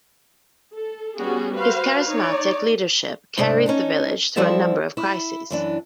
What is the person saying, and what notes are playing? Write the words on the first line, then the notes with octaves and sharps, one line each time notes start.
His charismatic leadership carried the village through a number of crises.
A4
G3 B3 C#4 F#4 G#4
F#4 B4 C5 F5
D#4 C#5 D5
G#2 C3 D4
C#4 D#4 A4
F3 G3 C4 E4 A4 E5
E4
F#2 E3 D4